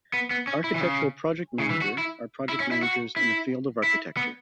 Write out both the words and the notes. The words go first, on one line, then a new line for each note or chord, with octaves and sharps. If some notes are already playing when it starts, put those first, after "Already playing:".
Architectural project manager are project managers in the field of architecture.
B3
B3
C#4
E4
E3
C#3
C#3
E3
F#4
E4
E4
C#4
E4
F#4
E4
E4
B3